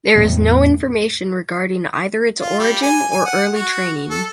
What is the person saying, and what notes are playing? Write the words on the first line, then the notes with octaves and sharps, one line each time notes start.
There is no information regarding either its origin or early training.
E2 A2 G3
F4
G3
G#5
G#5
F#5
F#4
A4